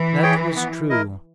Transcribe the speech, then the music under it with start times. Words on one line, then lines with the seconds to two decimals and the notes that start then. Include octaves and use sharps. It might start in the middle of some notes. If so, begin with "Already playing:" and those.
That was true.
Already playing: E3
0.23 G#4 C#5 G5
0.56 B3
0.90 E4 A#4 D#5